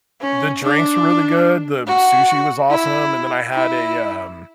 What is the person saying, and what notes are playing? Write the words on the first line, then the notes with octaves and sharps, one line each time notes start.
the drinks were really good, the sushi was awesome, and then I had a, um
C#4
D4
F#4
E4
E4